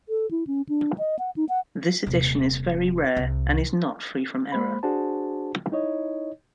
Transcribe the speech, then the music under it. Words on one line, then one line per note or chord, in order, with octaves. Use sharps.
This edition is very rare, and is not free from error.
A4
E4
C#4
D4
D#5
F#5
D#4
F#5
D#1 C3
C2
G#3 A#3 C5 B5
D4 F#4 G#4 C5 A5
D#4 E4 C#5 D#5